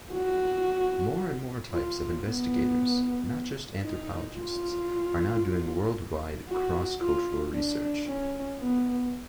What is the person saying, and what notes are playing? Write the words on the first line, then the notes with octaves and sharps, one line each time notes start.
More and more types of investigators-not just anthropologists-are now doing worldwide cross-cultural research.
F#4
F4
B3
D#4
F4
F#4
F4
D4
C#4
B3